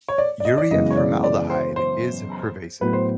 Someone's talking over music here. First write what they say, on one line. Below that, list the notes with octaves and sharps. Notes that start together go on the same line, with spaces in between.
Urea-formaldehyde is pervasive.
C#5
D5
D5
D#5
D5
F#2 C#3 E3 G#3 B3 D#5
C#5
D5
D5
C5
C5
A2 F#3 B3 B4
C5